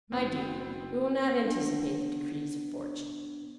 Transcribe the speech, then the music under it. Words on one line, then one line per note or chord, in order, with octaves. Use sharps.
'My dear, we will not anticipate the decrees of fortune.
F#1 A3 A#3 C4 D#4
B3 D4